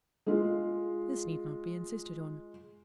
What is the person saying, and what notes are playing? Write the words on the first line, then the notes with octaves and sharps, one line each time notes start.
This need not be insisted on.
G#3 F4